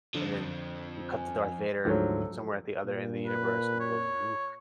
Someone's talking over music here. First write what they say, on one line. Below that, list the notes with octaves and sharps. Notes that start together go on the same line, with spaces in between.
and then, you cut to Darth Vader, somewhere at the other end of the universe, and he goes, "Luke,"
F2 D3 F3 D4 A#5
G#5
D2 G#2 D3 F3 F#3 A4
A#2
B4
C#5